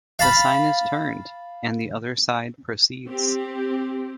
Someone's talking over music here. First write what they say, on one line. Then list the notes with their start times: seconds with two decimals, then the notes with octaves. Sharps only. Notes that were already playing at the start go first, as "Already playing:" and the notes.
The sign is turned, and the other side proceeds.
0.19 F5 A5 B5
3.07 C4 G4